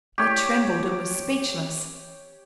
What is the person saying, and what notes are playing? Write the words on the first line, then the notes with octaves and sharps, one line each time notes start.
I trembled, and was speechless.
G4 C#5